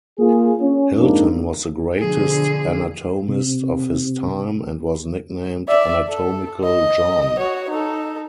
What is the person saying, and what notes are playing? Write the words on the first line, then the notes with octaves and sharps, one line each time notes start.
Hilton was the greatest anatomist of his time, and was nicknamed Anatomical John.
A#3 F4 G#4
C#4
F2 G#2 A#3 D4 D#4
B2 D3 F3 G#4
C3
D5 E5
A4
D#5
F#4 C#5
D#4 A4